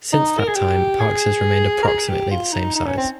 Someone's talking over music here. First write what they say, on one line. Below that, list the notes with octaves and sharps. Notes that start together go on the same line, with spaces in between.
Since that time, Parks has remained approximately the same size.
D#4
A#4
G#4
G4
G#4
A#4
G#4
G4
F4
D#4
D#4
C#4
C4